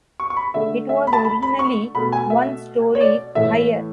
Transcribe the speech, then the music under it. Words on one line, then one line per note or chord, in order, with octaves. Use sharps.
It was originally one story higher.
C#6
C#6
B5
D3 A3 E5
E5
B5
A5
B5
B5
C#6
B2 A3 B5
G#5
E5
C#5
D5
A2 E3 A3 E5